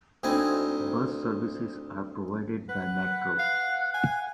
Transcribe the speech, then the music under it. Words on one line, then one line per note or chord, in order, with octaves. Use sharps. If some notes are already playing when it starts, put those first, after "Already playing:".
Bus services are provided by Metro.
D2 C4 D#4 E4 G#5
B4 F#5
F#5
F5
G#5